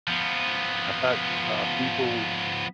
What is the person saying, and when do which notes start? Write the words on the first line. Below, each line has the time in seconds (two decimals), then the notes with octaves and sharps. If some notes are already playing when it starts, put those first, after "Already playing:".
I thought, uh, people
0.08 F3 B3